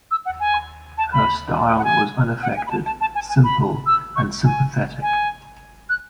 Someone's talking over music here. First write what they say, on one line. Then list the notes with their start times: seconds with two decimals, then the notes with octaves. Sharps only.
Her style was unaffected, simple, and sympathetic.
0.11 E6
0.26 F#5
0.40 G#5
0.98 A5
1.13 B5
1.78 F#5
1.84 G#5
2.43 F#5
2.57 G#5
2.67 B5
2.71 A5
2.86 A5
3.01 A5
3.15 G#5
3.29 G#5
3.44 B5
3.86 E6
4.16 C#6
4.45 G#5
5.02 G#5
5.89 F#6